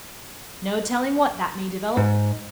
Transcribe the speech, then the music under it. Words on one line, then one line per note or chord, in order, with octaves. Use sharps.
No telling what that may develop.
G#2